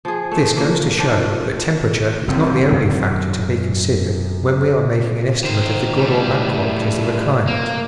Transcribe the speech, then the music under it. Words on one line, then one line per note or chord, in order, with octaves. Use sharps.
This goes to show that temperature is not the only factor to be considered when we are making an estimate of the good or bad qualities of a climate.
F3 G#4
F3 A3
F#3 A#3
D#3 F3 D4
F#1 D3 C4
F#2
D#3 C5
A2 G3
A#3